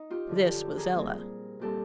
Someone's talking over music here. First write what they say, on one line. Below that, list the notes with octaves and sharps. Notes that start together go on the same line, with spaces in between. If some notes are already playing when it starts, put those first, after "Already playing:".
This was Ella.
Already playing: D#4
F4 G4
F#2 D3 F3
G4 A4
G#4 A#4
A#2 G3 C4
A#2 G3 C4 G4 A4